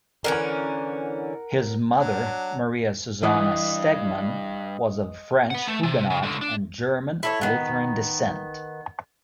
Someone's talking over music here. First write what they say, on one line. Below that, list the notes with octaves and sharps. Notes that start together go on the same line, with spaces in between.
His mother, Maria Susanna Stegmann, was of French Huguenot and German Lutheran descent.
D3 E3 C#4 A#4 F#5
F#3 D4
G2 E3 D#5 D#6 F#6
B4 F#5
A3
C3
C#3
C#2 D3
D4
E4 A4 C#5
D#3 B3